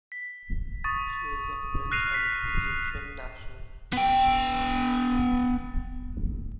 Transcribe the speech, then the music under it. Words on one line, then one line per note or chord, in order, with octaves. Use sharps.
She is a French and Egyptian national.
B6
C#6 D#6 A6
F6 F#6 A#6 C7 D#7 F7
B6 C7
B3 G5